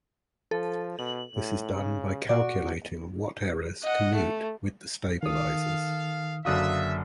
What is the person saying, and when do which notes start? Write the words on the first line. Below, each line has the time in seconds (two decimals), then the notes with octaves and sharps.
This is done by calculating what errors commute with the stabilizers.
0.51 F3 A4
0.99 B2 F#7
1.35 A2
1.75 C#3
2.29 F#4 D5
3.83 D#5 F#5
4.15 A3
5.23 D#3 A4 F5 D#6
6.45 F#1 D3 F#4 E5 F5 D#6 F#6